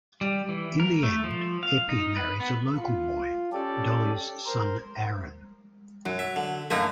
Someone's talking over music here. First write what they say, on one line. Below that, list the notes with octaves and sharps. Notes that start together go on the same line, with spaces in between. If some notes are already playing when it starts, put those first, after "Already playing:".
In the end, Eppie marries a local boy, Dolly's son Aaron.
G3
E3
A#4
A3
F3
F5
D#4
B4
B3
F4
C#4 G4 A4 D5
A#4 C5
F#2 F#3
E5
D3
F#2 A3 A#3 D#4 E5